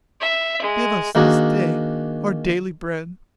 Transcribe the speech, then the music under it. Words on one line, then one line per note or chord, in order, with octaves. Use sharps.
"Give us this day our daily bread."
E5
G#3
D#3 A#3 D4 F#4 G#4